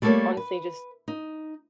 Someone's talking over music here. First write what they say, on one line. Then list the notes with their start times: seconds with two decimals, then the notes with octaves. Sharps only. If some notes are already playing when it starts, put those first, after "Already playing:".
honestly, just
0.02 G3 A3 A#3 G#4 A4 C#5
0.37 B4
1.08 D#4